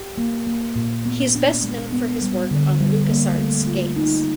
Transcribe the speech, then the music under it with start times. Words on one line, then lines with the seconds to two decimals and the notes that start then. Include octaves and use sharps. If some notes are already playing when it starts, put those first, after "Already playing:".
He is best known for his work on LucasArts games.
Already playing: G4
0.18 A#3
0.47 A#3
0.76 A#2
1.05 B3
1.35 D4
1.63 G#3
1.93 B3
2.22 G3
2.51 D3
2.80 G3
3.09 A#3
3.38 A3
3.67 F4
3.96 D#4